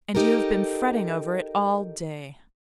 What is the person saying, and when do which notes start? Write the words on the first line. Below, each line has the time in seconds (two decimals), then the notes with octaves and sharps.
'And you have been fretting over it all day.
0.15 D#4 G4 A4 A#4